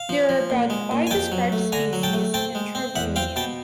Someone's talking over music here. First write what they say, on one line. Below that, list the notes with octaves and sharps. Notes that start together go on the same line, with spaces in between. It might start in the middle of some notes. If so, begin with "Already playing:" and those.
There are about five described species in "Travunia".
Already playing: F5
F3
F3
A#2
G#3
A#2
G#5
F2 G5 A5
F#3
A3
D3 G#5 A#5
F#3
G5 A5
A3
C4 G5 A5
G#3
C4
E2 E5 F#5
C4 F5 G5
B2 G5 A5